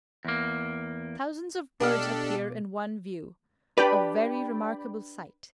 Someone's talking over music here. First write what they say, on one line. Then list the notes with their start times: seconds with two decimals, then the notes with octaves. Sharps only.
Thousands of birds appear in one view--a very remarkable sight.
0.25 E2 A#3
1.80 B2 D4 G4 A4 D5 D#5 F5
3.78 D4 G4 B4 D5 G5 B5